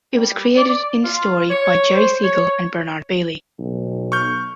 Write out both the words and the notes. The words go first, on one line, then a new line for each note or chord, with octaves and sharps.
It was created in this story by Jerry Siegel and Bernard Baily.
G3
D5
F4
C#5
C5
C#5
B1
C#6 F6 G6